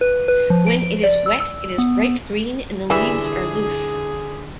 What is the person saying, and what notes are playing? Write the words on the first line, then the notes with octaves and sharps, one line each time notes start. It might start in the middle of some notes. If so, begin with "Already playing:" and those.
When it is wet it is bright green and the leaves are loose.
B4
B4
F3
D7
D5
E6
E6
B3
D3 E3 G3 G#4 E5